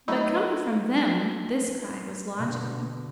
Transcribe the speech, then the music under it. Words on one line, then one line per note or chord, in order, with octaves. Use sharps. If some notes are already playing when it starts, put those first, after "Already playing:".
But coming from them, this cry was logical.
F#3 A3 D#4 E4
B2 D3